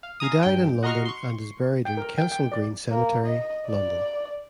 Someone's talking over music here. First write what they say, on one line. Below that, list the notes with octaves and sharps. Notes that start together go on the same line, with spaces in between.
He died in London and is buried in Kensal Green Cemetery, London.
F5
F5 G#5 A#5 D#6
G2 G5
F#4 D#5 A#5 C6 C#6 F6
C6 C#6
G5
A#4
G5
G5
D5
A#3
D#5
D5